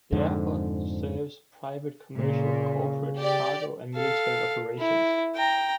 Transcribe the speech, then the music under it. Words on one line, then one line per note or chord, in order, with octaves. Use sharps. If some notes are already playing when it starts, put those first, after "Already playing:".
The airport serves private, commercial, corporate, cargo and military operations.
F2 G#2 D3
A#2 C#3
G4 D5
A4 F5
E4
G5 A#5